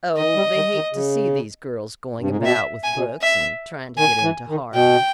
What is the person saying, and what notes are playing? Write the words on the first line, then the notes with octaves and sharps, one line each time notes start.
"Oh, they hate to see these girls going about with books, and trying to get into Harvard."
D#3 D#5
G3
D#3
D#3
C#3
G2
G#2
A#2
B2 E5
G#5
B2
E5
D#3 G#5
E3
D#3
B2 G5